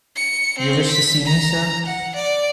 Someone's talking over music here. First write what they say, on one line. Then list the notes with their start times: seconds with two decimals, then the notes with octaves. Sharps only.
You wished to see me, sir?
0.16 C#7
0.58 C4
0.91 B6
1.26 A#5
1.86 F#5
2.15 D5